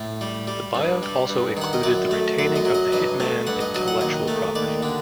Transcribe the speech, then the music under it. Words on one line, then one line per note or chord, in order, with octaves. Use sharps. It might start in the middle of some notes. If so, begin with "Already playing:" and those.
The buyout also included the retaining of the "Hitman" intellectual property.
Already playing: A2
G3
G3
G2
G3
G2
D#3 F#5
D#5
F#2 D5
A3
F#2 D5
D#5
F#3
D#5
G2 D#5
A3
G2 F#5
D#5
F#3 D#5
F#5
D#2 D#5
A3
D#2 D5
D3